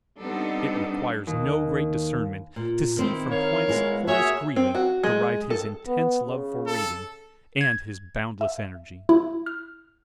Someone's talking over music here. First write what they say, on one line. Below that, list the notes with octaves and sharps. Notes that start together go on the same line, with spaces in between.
It requires no great discernment to see from whence Horace Greeley derived his intense love for reading, and his boundless energy.
G3 B3 C4 D4 D#4 A4
D#2
A#2
D#3 C4 E4
A#4 C#5 F5
G#3 B3 E4
A#3 F#4 G#4 C#5 E5
C4
F#4
G#3
A4
B3
C#3
A4
G#6
E5
E4
F6